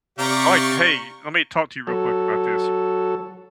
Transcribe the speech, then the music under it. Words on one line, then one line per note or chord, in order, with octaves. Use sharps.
I like, "Hey, let me talk to you real quick about this.
C3 G4 D5 F5 A#5 C#6
F#3 A4